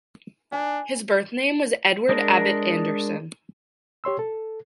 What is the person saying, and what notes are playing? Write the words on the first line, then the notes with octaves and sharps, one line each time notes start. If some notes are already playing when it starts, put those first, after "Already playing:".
His birth name was Edward Abbot-Anderson.
D4 G#5
G#3 D4 A#4
G4 C#5 C6 E6
A4